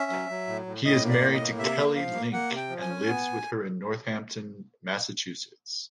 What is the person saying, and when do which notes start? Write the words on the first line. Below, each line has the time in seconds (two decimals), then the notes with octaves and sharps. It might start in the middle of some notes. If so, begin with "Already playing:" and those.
He is married to Kelly Link and lives with her in Northampton, Massachusetts.
Already playing: C#4 E5
0.11 F#3
0.29 F#3
0.47 A2
0.66 A2
0.85 A2 D#5
1.04 A#3
1.09 D5
1.21 A2
1.34 D#5
1.41 A#3
1.59 C3 E5
1.78 A#3
1.96 F3 F5
2.14 A#3
2.32 A#3 F#5
2.51 C3
2.57 G5
2.70 F3
2.81 G#5
2.88 C#4
3.07 B3